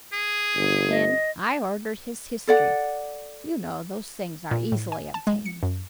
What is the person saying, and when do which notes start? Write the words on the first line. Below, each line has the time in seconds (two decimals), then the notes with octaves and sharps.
Then I ordered his history--you know those things are easily obtained.
0.13 G#4
0.56 G1
0.90 D#5
2.47 A4 D5 F#5
4.51 A#2
4.72 A2
4.92 G#5
5.14 A5
5.27 G#3
5.45 C#7
5.63 F#2